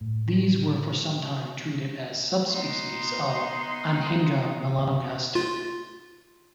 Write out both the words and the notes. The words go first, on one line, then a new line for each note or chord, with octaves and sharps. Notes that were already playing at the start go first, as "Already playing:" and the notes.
These were for sometime treated as subspecies of "Anhinga melanogaster".
A2
B3 D#4 C6
F4